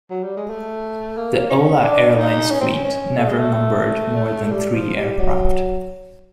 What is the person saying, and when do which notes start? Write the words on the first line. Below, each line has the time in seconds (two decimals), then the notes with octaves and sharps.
The Hola Airlines fleet never numbered more than three aircraft.
0.10 F#3
0.23 G3
0.37 G#3
0.50 A3
1.17 A#3
1.50 C#4
1.84 D4
2.18 D#4
2.51 C#4
2.61 C4
2.71 C#4
2.84 C#4
3.18 A3
3.28 G#3
3.38 A3
4.51 G3
4.74 F3
4.96 G3
5.19 F#3